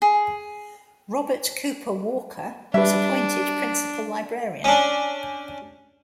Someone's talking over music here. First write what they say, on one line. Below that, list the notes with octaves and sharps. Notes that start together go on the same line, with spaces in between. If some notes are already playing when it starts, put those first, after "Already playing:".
Robert Cooper Walker was appointed Principal Librarian.
G#4
G3 D4 B4 E5
C#4 D4